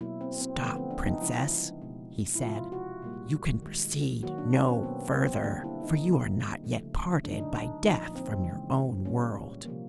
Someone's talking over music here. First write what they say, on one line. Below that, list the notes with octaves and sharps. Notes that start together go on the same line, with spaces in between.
"Stop, princess!" he said; "You can proceed no further, for you are not yet parted by death from your own world."
B2 F#3 A#3 E4
C4
C4
D3 F3 A3 B3
C4
D4
D#4
C#3 F3 G#3 E4
B2 G#3
E4
C3 F3 G#3 F4
F#4
A#2 G3 A#3
D#3 G#3
D#3 F#3 A#3 F#4
D4
C#4
C4
B2 F#3 A#3 B3
C4
D3 G3 A#3 D4
E4
D#4
D3 G3 A#3
C#3 F3 A3
D3 F#3 A3 D4
D#4
D4
D#4
A#2 F3 A#3 D#4
C4
C#3 E3 G#3
A#2 G3 A#3 C#4
C3 F3 A#3